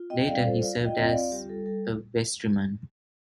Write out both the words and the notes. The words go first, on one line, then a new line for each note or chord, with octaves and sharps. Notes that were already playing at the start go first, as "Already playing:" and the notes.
Later, he served as a vestryman.
Already playing: F4
C4 D#5 G5
G5
G3 D5 F5
F4 A4 C5
F4 D5 F5
F4
D#5 G5
C4 D#5
D5 F5
F4
G3 G4
G3 A4
G3 A4